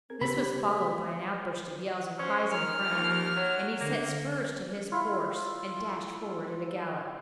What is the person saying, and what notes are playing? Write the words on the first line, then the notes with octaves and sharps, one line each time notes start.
This was followed by an outburst of yells and cries in front, and he set spurs to his horse and dashed forward at a gallop.
C4 G#4 A#4 G#6
C#3 B3 G4 B5
A3
C#4 C5
D#3 F6
D#2 F3
F#3 C#5
D3 A#3
E4 F4